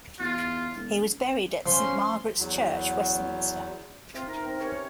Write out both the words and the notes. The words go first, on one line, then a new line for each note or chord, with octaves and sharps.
He was buried at Saint Margaret's Church, Westminster.
E2 F4
E1
F3 C#4 C6
E2 F#3
C4 F4 C5 E5
D#4 A#4
C4
C#4 G4 A#4 B4 C#5